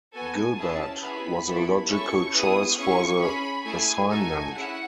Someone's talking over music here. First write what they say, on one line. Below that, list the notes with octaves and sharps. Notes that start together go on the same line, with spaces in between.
Gilbert was a logical choice for the assignment.
B3 F#4 A4 G#5
C#4 E4 G#4 A5
B3 E4 G#4 B5
B3 E4 A4
C#4 E4 A4 C#6
B3 E4 G#4 D#6
C#4 E4 G#4 C#6
C#4 G#4 B5
A3 E4 G#4 G#5
D#4 F#4 A4 G#5
C#4 E4 G#4 F#5